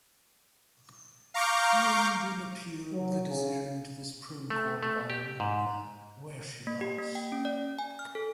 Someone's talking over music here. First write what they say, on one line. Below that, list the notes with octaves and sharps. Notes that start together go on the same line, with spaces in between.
Flynn then appealed the decision to the Supreme Court of Ireland, where she lost.
F5 A#5 C#6 D6 F6 G6
F#3
C#3
A3
A3
G4
G#2
A#3
G4
A#3
G5
C#4
D5
G#5
F6
A4